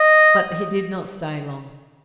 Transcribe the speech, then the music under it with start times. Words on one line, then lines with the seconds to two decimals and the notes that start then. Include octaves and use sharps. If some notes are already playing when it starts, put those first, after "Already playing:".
But he did not stay long.
Already playing: D#5